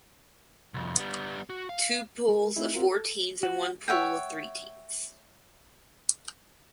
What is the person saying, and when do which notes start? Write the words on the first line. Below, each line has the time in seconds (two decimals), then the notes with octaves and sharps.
Two pools of four teams and one pool of three teams.
0.74 C2 F2
0.97 G3 B3
1.50 F#4
1.69 F5
2.28 G#3 A#4
2.56 A3 C4 D#4 E4 G#4
2.74 C4 F4 F#4 A#4
2.91 A4
3.43 F#4
3.88 C#5 E5 F#5 G5